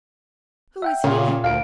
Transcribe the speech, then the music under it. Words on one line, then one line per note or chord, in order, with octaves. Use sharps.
'Who is he?
E5 F#5 G5
A#2 C#3 A#3
D2 F5 D7